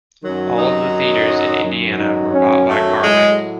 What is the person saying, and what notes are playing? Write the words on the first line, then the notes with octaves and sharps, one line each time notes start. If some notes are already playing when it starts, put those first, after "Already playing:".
All of the theaters in Indiana were bought by Carmike.
F#2 D#3 F#3
D#4
F#2 D#3 F#3
D#4
C#4
A3
A2 F#3 G#3